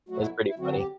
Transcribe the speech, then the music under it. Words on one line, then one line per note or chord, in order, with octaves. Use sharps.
It's pretty funny.
B2 F#3 A3 F#4
E4
E4
F#2 D3 F#3 C4 F#4
G4